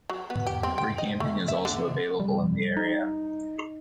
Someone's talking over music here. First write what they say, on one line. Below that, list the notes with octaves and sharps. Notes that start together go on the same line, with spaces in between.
Free camping is also available in the area.
F#3
B3
G4
C4
G5
D#5
A3
E5
D3
G3
D#4